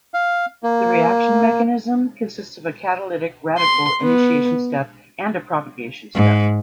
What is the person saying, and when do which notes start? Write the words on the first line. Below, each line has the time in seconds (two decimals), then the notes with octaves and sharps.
The reaction mechanism consists of a catalytic radical initiation step and a propagation step.
0.14 F5
0.63 A#3
3.58 C6
4.01 B3
6.14 G#2